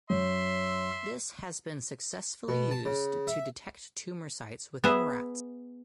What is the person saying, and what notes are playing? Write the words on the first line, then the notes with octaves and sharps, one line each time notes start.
This has been successfully used to detect tumor sites within rats.
F#2 C#5 E5 C6
B2
A5
C#3
E5
B3 G#4 E5